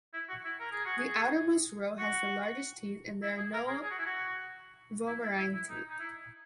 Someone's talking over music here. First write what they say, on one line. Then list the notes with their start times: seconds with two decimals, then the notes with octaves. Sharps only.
The outermost row has the largest teeth and there are no vomerine teeth.
0.13 E4
0.29 F#4
0.44 E4
0.60 A#4
0.72 G#4
0.85 F#4
0.98 G#4
1.99 F#4
3.22 E4
3.37 G#4
3.53 A#4
3.68 G#4
3.83 G#4
3.91 F#4
3.98 E4
4.05 F#4
5.07 E4
5.23 E4
5.38 E4
5.54 E4
5.69 D#4
5.90 D#4
5.99 E4